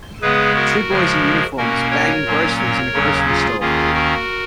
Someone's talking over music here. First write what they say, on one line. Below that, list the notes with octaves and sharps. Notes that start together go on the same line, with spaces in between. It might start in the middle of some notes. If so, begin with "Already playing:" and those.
Two boys in uniforms bagging groceries in a grocery store.
C#3 G#3 B3 G#4 B4
F#4 A#4
C#3 F3 G#3
B2 A#3 C#4 F#4 A#4
A#4 C#5
A#2 F#3 A#3 C#4
A#4 C#5
D#2 C#3 F#3 C#4
F4 G#4
D#2 D#3 A#3 C#4 F4 G#4
F#4 A#4